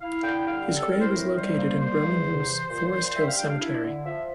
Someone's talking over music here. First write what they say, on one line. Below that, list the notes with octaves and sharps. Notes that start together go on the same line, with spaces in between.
His grave is located in Birmingham's Forest Hill Cemetery.
E4 F5
D3 G5
G3 F5
C4
A4
E4 A#4
C5
A2 A#4
G3 C5
A#3
G3 C5
E2
C3
E3
A#2
A#2
G3 E5
F5
D4 G5
F5
E4
D3
F3 E5